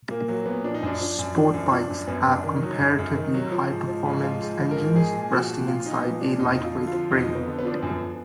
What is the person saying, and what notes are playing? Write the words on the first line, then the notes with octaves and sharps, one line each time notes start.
Sport bikes have comparatively high performance engines resting inside a lightweight frame.
A#2 A#3
F#3 A#3
A#2 B3
F3 D4
D#4
F#2 D4
F3
F#2
F3 D4
F#2
F3 D4
F#2
F#2 B3
F#2
D4
D#3
D#4
F#3
F#2
F#2
D#3
F#3
F3
G#2
F3
G#2
F3 F4
G#2
F3
A#4
G#2
F3 G#4
A#2
F3 F#4
A#2
F3 F4
A#2 D#4
F3 B3
A#2 D4
F2 D#4
D#4
F2
F4
D3
F4
F3
F2 D#4
F2
B3
D3
B3
F3 D4
B3
F#2